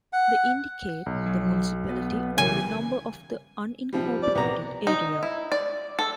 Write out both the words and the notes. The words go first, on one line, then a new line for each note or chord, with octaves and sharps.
The indicate the municipality or the number of the unincorporated area.
F#5
B1
F#3
B3
C#3 E3 G3 G#5
C3 F3 G3
D5
C2 B3 A#5
D#4
E4
D5
A4